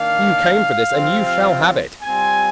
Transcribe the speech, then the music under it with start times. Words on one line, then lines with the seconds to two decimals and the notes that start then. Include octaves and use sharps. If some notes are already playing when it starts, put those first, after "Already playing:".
You came for this, and you shall have it!
Already playing: D#3 A#3 D4 F5
0.94 C3 F3 C4 F4
2.02 G3 C4 F4 G#5